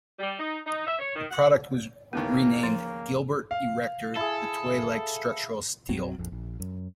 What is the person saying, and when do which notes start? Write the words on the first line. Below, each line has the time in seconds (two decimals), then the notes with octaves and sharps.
The product was renamed "Gilbert Erector, The Toy Like Structural Steel".
0.19 G3
0.40 D#4
0.67 D#4
0.87 E5
0.99 C#5
1.16 D#3
1.31 F#5
2.13 D#2 A2 C#3 E3 A#3 B3
2.63 F3
3.51 F5
4.16 E4 G#4 A4
5.89 B1 F#2 F#3 C4
6.18 A#1 F2
6.32 A#1
6.60 F#2